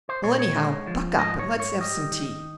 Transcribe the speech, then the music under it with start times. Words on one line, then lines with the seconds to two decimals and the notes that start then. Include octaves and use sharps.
Well, anyhow, buck up, and let's have some tea.
0.09 C5
0.24 A#2 C#5
0.39 C#5
0.55 G#3
0.87 F3
1.18 G#2 D#5
1.39 C#5
1.49 G#2
1.60 C#5
1.81 G3 D#5
2.12 D#3